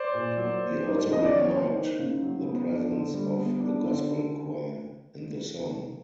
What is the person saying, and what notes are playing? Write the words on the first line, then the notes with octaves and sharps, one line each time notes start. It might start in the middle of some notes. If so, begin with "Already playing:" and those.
He also remarked the presence of "a gospel choir" in the song.
Already playing: C5 D5
A#2
F#3
A#3
D#4
C#3
D#5
F#3 D5
C#5
A#3 C5
D#4
C#3
F#3
B3
D4
D3
G3
B3
D4
D3